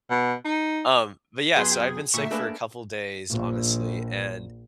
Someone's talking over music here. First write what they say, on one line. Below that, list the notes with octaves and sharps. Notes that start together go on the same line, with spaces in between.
Um, but yeah, so I've been sick for a couple days, honestly, and
B2
D#4
F#2 B3 G#4 B4 G#5 C6
G5
A#2 D3 A3 E5 C#6
A3 A#3 D4 G#4 B4
A#1